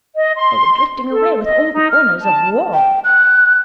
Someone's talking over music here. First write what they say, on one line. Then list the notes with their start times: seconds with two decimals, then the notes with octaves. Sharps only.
They were drifting away with all the honours of war.
0.15 D#5
0.36 C6
1.10 A4
1.43 D#5
1.74 D#4
1.91 F6
2.22 A5
2.74 G5
3.04 F#6